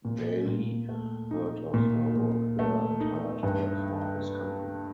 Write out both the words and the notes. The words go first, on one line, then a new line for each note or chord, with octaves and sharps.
Daly heard of her work there and hired her for his company.
A#2
A#2
A3
D#4
A#2
A#2
A3
D#4
G2